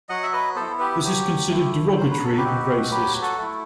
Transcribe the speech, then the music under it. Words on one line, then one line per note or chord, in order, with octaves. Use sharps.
This is considered derogatory and racist.
F#3 D#5 F#5
E5
B4 D#5
B3 E4 A4 C5
G4 B4
F#3 G4
A3 E4
F#3 C5
B4
A4
G4 B4
C4 D#4 F#4
F#3 G4 B4
F#4 A4
A3 E4